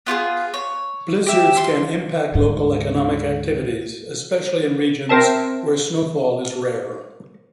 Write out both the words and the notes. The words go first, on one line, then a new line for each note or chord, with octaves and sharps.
Blizzards can impact local economic activities, especially in regions where snowfall is rare.
B3 F4 G4 G#4
C#5
G4 E5
C6
D2 G#2
C4 A#4 C5 E5 A5